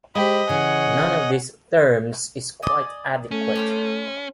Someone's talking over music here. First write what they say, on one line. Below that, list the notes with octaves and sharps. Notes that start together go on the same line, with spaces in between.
None of these terms is quite adequate.
G#3 G4 C5 D#5 B5
C#3 E3 G#4 C#5 F#5
D5 D#5 G#5
A3 C#4
G4 C5 F6